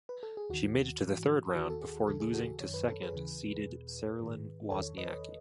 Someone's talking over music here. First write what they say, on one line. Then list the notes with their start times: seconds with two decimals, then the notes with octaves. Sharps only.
She made it to the third round, before losing to second seeded Caroline Wozniacki.
0.09 B4
0.23 A4
0.37 G#4
0.50 D#2 D#3 F#4
1.02 G#2 E3
1.55 D#2 D#3 F#4
1.70 A4
1.82 G#4
2.07 D#2 C#3 E3 A4
2.20 G#4
2.34 F#4 A4
2.60 F#2 D#3 C#5
2.74 B4
2.89 A4
3.02 G#4 B4
3.13 D#2 C#3 E3
3.66 E2 B2
4.19 G#2 D#3
4.70 E2 D#3 A4 C#5
4.97 B4 D#5